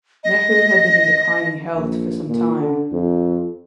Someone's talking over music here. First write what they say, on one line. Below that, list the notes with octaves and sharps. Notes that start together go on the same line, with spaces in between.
Nehru had been in declining health for some time.
D#5
A#1
A#2
D3
F2